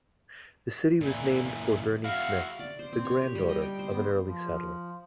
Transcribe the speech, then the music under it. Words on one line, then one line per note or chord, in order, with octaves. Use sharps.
The city was named for Vernie Smith, the granddaughter of an early settler.
A#2 E3
E4 F#4 F5
D5
C5
C4
C#5
G4
G3
D#5
G5
C5
B3
F3